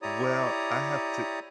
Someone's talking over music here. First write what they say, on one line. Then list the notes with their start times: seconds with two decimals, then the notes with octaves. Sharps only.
Well, I have to
0.02 E4 G4 C#5 D5 A#5 D#6